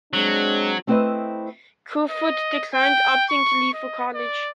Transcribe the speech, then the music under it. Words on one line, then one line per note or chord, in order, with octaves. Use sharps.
Kerfoot declined, opting to leave for college.
F#3 G#3 C4 D4
A3 C4 E4 B4 C5 D#5
D#5
G5
C#6
D#5
D5